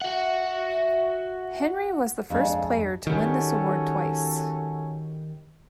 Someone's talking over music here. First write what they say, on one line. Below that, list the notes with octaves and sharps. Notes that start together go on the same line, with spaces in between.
Henry was the first player to win this award twice.
F#4 E5 F#5
F2 G#3 D4 F5
D#3 G3 C#4 F#4 A4